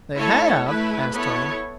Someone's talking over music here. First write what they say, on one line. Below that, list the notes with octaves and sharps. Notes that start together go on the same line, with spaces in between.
"They have?" asked Tom.
A3 E4 A4 C#5
A3 E4 B4
B3 E4 A4 C#5